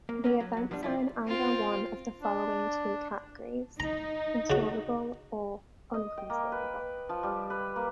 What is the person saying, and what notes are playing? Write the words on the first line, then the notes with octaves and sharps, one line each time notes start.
The events are in either one of the following two categories controllable or uncontrollable.
A#3
A#3 B3 C#4
F#3
F#3
F3 G3 B3 D4
E4 F4 D5
C4 F4
D4
D#4 A#5
C#3 F#4
D#5
G5
A#3
B4
F3
G3
B4
A#3